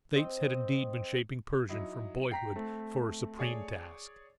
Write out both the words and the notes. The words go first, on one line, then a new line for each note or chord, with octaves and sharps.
The Fates had indeed been shaping Pershing from boyhood for a supreme task.
C4 D#5 G5
F#3 D#4 E4
G5 A#5 B6 C7
A3 C4
G#4 C#5 D5